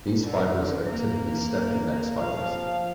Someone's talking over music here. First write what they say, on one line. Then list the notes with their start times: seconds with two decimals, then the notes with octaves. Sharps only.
These fibers are typically step-index fibers.
0.23 D3
0.86 A#3
2.19 F3 F5